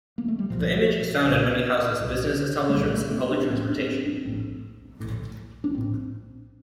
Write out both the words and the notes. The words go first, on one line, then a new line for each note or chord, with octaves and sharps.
The image is found in many houses, business establishments, and public transportation.
A#3
A3
G3
C2 A#2 F3
C2 A#2
C2 A#2
A3
C2 A#2 G3
A3
C4
D4
D4
A#1 A2 C4
D4
C4
D4
A#1 A2 C4
A#1 A2
D4
A#1 A2 C4